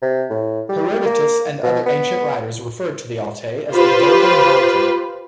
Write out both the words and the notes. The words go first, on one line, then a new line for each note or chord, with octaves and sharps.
Herodotus and other ancient writers referred to the Altay as "the golden mountain".
C3
A2
G3
A#3
B2
B3
F4 G4 B4 C5